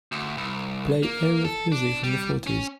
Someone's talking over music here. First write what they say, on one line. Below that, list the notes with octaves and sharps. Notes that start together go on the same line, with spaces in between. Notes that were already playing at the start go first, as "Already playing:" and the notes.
Play Arif music from the fourties.
D2
C2
A#3
A4
D4
G3
C#4